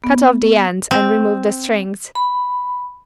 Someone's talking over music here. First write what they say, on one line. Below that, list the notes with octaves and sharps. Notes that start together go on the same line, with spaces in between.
Cut off the ends and remove the strings.
B3
C4
B5